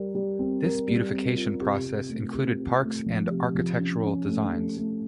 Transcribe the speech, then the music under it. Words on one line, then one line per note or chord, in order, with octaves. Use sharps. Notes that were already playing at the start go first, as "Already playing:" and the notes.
This beautification process included parks and architectural design.
Already playing: G3 A#4
G3
C4
A#4
G3
C4
F4
C3
C3
A3
C3
C3
A3
F3
C3
F3
C#4
C#4
A3
A3
A3